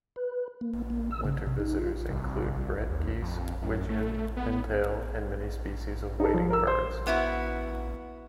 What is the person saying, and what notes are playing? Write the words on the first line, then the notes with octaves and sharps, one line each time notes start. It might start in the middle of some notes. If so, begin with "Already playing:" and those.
Winter visitors include brent geese, wigeon, pintail and many species of wading birds.
B4
A#3
A#3
E6
C#3
C3
D#4
F4
C2
D#2
F2
F#2
A3
B3
D#4 A4
F2
A#4 E6
C5
B3 E4 F#4